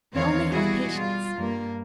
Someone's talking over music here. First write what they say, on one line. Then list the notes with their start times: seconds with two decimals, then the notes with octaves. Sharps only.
But only have patience!
0.13 E2 D#3 C4 C#5 F5
0.51 B2 G3 E4 F#4 G#4
0.94 G3 F4
1.38 G2 A#3